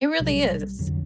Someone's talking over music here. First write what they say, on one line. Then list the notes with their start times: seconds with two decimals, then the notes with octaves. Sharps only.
It really is.
0.20 B1 C3 F#3 G3
0.79 F2 D3 F#3